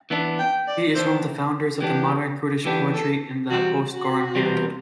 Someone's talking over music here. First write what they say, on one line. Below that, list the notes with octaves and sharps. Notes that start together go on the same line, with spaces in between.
He is one of the founders of modern Kurdish poetry in the post-Goran period.
E3 B3 D4
G5
D5
E3 B3 D4 C5
E3 B3 D4 G4
E3 B3 D4 G4
A4
E2 C3 G3 C4 F#4
F#4
E2 C3 G3 C4